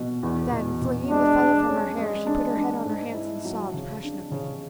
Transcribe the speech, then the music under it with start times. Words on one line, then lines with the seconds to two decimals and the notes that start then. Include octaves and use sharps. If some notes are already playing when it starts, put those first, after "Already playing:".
Then, flinging the feather from her hair, she put her head on her hands, and sobbed passionately.
Already playing: B2
0.23 E2
0.52 B2
0.82 B2
1.10 G#3 D4
1.40 G#3
1.69 C#4
1.98 G#3
2.27 D4
2.57 D4
2.85 G#2
3.14 E4
3.45 F#3
3.74 C#3
4.02 D4
4.31 C#3